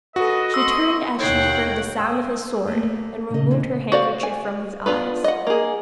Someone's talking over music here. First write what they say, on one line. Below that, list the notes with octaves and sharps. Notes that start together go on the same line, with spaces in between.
She turned as she heard the sound of his sword, and removed her handkerchief from his eyes.
F#4 A4 B4 D#5
C6 C#6 E6
D#2 B2 D#4 C#5 F#5 G5 A6 C7
G5 D#6 E6
A3 A#3
A#2 C#3 D#4 D#5
C3 E3 D4
F#4 C5 D5 F5
G#5
B3 D4 F4 B4
D#5 F#5
A#3 G#4